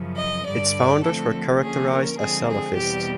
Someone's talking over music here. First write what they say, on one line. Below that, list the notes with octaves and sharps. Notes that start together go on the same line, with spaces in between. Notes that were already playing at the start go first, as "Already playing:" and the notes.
Its founders were characterised as salafists.
Already playing: F#2 C#3 F3
D#5
G2 D3 G3 D5
D3 F3 A3 C4 A4
D3 F3 A#3 C#4 G#4
A#4
D3 F3 G#3 C4 G#4
G#4
E2 B2 G3 C4 G4